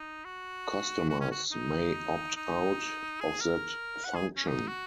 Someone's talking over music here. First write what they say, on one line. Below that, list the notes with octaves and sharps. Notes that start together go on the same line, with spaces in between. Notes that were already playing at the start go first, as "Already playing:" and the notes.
Customers may opt out of that function.
Already playing: D#4
F#4
F#4
C#4
F#4
D#4
D#4
G#4
A#4
F#5
G#4
C#4
D#4
F#4